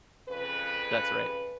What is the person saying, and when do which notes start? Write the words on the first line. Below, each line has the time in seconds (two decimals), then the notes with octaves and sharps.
That's right.
0.28 F2 C#3 B4